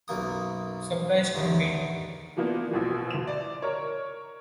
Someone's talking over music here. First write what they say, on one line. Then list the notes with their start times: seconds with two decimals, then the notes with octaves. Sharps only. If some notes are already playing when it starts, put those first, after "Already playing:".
Surprised and pained.
0.08 B1 F#2 A#3 D#6
1.35 A1 E2 D3 D#3
2.37 E3 F3 A#3 B3 D4
2.71 A#1 B2 E3 F3
3.11 D2 E7
3.27 D5
3.62 A#4 C#5